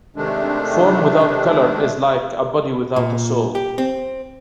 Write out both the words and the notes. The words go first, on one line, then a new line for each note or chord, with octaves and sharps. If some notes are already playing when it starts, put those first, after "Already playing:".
Form without colour is like a body without a soul.
C3 D#3 G#3 A3 D4
A#2
G4
C4